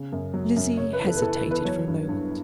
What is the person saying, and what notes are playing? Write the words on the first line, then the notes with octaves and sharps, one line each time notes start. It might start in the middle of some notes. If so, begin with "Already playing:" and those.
Lizzie hesitated for a moment.
Already playing: C#3
F#2
F#3
F#2
C#3 C#5
B4
E2
A4
B4
E3 A4
B4
E2
B4
F#3 C#5
G2
G2